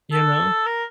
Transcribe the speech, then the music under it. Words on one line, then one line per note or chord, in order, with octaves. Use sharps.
You know?
A4
A#4